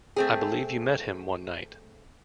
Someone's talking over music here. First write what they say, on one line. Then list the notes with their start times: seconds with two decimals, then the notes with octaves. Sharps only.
I believe you met him one night.
0.16 A3 C4 G#4